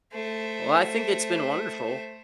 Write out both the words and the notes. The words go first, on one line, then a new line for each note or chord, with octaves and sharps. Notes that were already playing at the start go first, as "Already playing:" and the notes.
Well, I think it's been wonderful,
A3 C5